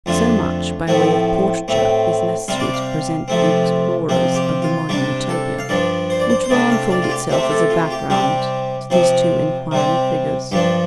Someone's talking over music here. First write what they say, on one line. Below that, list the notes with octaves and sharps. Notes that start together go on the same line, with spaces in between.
So much by way of portraiture is necessary to present the explorers of the Modern Utopia, which will unfold itself as a background to these two enquiring figures.
F2 D3 A3 F4
A2 F3 A3 C4
A2 A3 C4
C3 G3 C4 F5
D5
F5
C3 F3 A3 C4
C3 F3 C4
G4
F4
C3 G3 D4 G4
A4
F5
G2 F3 D4 D5
C5
D5
C5
C5
C3 A3 D4 D5
F5
D5
F4
G4
C3 A3 C4 G4
A4
F4
G4
C3 G3 C4 G4
C3 F3 C4
C3 G3 C4
G2 F3 D4 G4